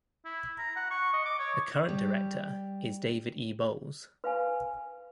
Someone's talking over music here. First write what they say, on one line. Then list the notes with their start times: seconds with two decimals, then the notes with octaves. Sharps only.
The current director is David E. Bowles.
0.25 E4
0.58 A#5
0.76 F#5
0.91 C#6
1.13 D#5
1.26 D6
1.39 C#5
1.89 G3
4.24 B4 F5 G#5